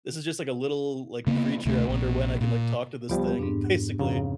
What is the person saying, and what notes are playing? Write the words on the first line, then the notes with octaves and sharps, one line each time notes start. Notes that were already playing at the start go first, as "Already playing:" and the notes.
"this is just, like, a little, like, creature, I wonder when I can, like, talk to this thing," basically.
C#3 A#3 B3
D2 C3 A3
A#1
A#2
C#2 F3 G3 B3 G4
F2 G#2 D4
F2 C#3 F5 A#5